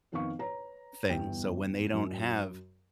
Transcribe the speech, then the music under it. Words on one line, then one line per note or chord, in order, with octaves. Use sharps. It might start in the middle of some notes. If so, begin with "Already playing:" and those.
thing. So, when they don't have,
F2 D#3 B3 F5 C#6
B4 C#5 A#5
G1 E2 G3 G5
F#2